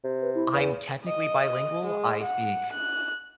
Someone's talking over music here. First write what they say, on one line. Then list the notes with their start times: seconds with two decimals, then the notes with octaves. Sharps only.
I'm technically bilingual, I speak
0.04 C3
0.22 B4
0.35 E4
0.53 E2
1.04 D#5
1.86 G#3
2.23 F#5
2.73 F#6